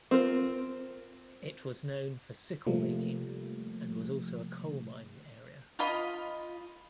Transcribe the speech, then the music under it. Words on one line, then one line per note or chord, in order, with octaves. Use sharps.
It was known for sickle making and was also a coal mining area.
C4 F4 A#4
C3 F3 G3 A3 A#3
F4 D#5 B5